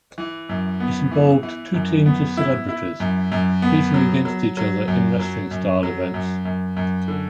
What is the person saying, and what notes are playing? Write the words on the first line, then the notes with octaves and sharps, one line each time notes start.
It involved two teams of celebrities, competing against each other in wrestling style events.
E3
F#2
B3
E3
E3
F#2
B3
E4
E4
F#2
F#2
B3
F#3
F#3
F#3
F#2
F#3
F#2
F#3
F#2
F#2
F#2
D3